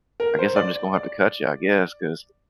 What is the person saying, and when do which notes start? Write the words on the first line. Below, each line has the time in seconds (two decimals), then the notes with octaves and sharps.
I guess I'm just gonna have to cut ya, I guess, 'cause,
0.20 A#4
0.39 C5
0.56 D5
0.93 D5